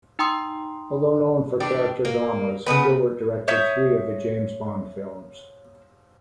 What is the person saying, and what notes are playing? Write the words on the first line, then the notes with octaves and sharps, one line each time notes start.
Although known for character dramas, Gilbert directed three of the James Bond films.
D#4 G5 A#5 C6 D#6
E3 D4 G4
A#3
C#3 E3 B3 B4
C#5 E5 D#6 G6